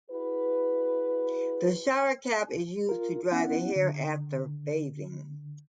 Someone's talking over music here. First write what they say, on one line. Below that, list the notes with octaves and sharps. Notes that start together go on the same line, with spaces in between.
The shower cap is used to dry the hair after bathing.
E4 F#4 G#4 B4
F4 A#4
B3 C#4 E4 F#5
D3